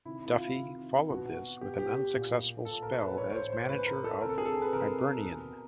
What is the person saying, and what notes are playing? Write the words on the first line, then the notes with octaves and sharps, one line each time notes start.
Duffy followed this with an unsuccessful spell as manager of Hibernian.
C3 D#3 E4
E4
F4
C3 D#3
B2 F#4
B2 G4
G4
A#2
A#2 A4
A#4
B4
A2 E3 C#5
C#5
C5
C5
A2 E3 B4
A#4
A4
C3 E3 A#4
A4
G#4
A4
B4
C3 E3 A#4
B2